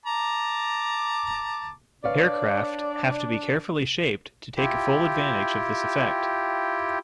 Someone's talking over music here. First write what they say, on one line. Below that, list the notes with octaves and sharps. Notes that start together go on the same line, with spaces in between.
Aircraft have to be carefully shaped to take full advantage of this effect.
A5 A#5 D6
D4 B4 C#5 D5 F5
E4 F4 G4 G5